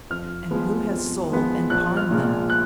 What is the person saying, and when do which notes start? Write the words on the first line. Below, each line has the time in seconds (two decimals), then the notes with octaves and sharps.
"And who has sold and pawned them?"
0.10 F2 F6
0.51 F3 G#3 B3
0.91 F2
1.30 F3 G#3 B3
1.70 A#1 F#6
1.97 F6
2.11 A#2 G#3
2.50 F#6